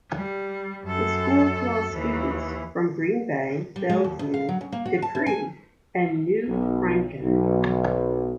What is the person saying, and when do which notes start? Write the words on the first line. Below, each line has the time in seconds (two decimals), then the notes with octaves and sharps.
The school draws students from Green Bay, Bellevue, De Pere, and New Franken.
0.17 G3
0.84 F#2 A4
1.93 D#2 E3
3.76 G3
3.90 G#3
4.04 D#2
4.19 D2
4.34 F5
4.49 F#3
4.61 C#3
4.72 A#3
4.86 F#4
5.02 A5
5.15 E3
5.26 G#5
6.47 B1
7.21 B1